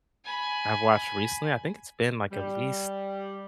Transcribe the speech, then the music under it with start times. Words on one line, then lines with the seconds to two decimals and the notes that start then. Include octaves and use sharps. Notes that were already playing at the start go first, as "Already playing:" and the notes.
I've watched recently, I think it's been, like, at least
0.25 G#5 B5
2.31 G3